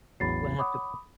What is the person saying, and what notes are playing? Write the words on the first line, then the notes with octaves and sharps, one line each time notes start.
we'll have to
A1 E2 F#3 B5 A6 C7
C#5 F#5 B5 D6 D#6